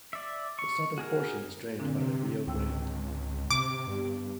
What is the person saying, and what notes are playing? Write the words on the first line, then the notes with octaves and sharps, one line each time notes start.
The southern portion is drained by the Rio Grande.
D5 E5
C#6
F#4 G#4 A#4
A#2 D3 C4 D4
C3
C#2 G#2 G5 E6
C3 D6
G2 B3 G4